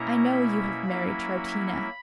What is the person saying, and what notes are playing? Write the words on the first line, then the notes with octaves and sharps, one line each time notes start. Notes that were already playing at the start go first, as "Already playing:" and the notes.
I know you have married Troutina.
Already playing: B2 A#3 C#4 E4 A#5
B5
F#3 A#3 C#4 E4